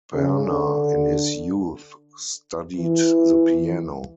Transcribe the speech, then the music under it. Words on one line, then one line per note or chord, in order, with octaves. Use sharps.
Berner, in his youth, studied the piano.
C#3
D3
E3